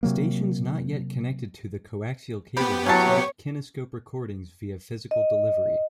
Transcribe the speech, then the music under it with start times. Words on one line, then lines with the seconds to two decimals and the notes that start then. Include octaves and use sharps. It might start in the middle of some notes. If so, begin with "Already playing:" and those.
Stations not yet connected to the coaxial cable received kinescope recordings via physical delivery.
0.03 C3 F#3 A#3
2.57 C3 B3 G4 G5 B5
2.86 F#3 C#4 E4 C#5 A5
5.11 D#5